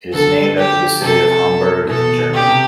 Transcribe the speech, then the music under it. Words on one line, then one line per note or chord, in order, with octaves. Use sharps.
It is named after the city of Hamburg, in Germany.
D3 A4
G4
C3 A4
A2
B2 A4
B2
G4
C3